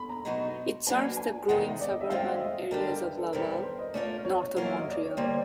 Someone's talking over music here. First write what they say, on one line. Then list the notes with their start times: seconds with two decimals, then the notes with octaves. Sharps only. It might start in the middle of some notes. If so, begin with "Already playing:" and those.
It serves the growing suburban areas of Laval, North of Montreal.
Already playing: B5 C6
0.09 A#5
0.25 B2 F#3 B3 D#4 F#4
0.87 F#3 A#3 D4 F#4 B4 G#5
1.17 G#5
1.48 E2 C3 D#3 G#3 F#5
1.81 D5
1.90 D#5
2.01 E5
2.10 G2 D#3 G#3 C4 F4 F5
2.35 E5
2.41 D#5
2.71 D3 G3 B3 D4 A#4
2.87 A#4
3.02 B4
3.18 A4
3.33 D#3 G3 C4 E4 A4 A#4
3.49 B4
3.64 C5
3.79 D#5
3.94 A3 C#4 F4 A#4 D5
4.25 C#5
4.56 F#3 A#3 C#4 F4 A#4
4.66 E5
4.78 D#5
4.91 D5
5.05 C#5
5.17 D3 G3 A#3 C5